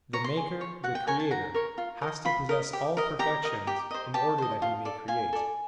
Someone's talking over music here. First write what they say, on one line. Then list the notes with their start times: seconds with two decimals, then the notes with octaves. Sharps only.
The maker, the creator, has to possess all perfections in order that he may create.
0.13 C#5 A#5
0.24 C6
0.37 G#4
0.61 C#5
0.84 F#4 F#5
0.95 G5
1.07 A#4 C#5 G#5
1.20 A5
1.31 F#4 A#5
1.55 A#4 C#5
1.78 F4
2.01 A#4 D#5
2.25 F4 B5
2.49 A#4 D#5
2.73 G4
2.97 A#4 D#5
3.19 G4 A#5
3.44 A#4 D#5
3.67 G4
3.91 C5 D#5
4.14 G4 A5
4.38 C5 D#5
4.62 F4
4.85 A4 D5
5.08 F4 G#5
5.33 A4 D5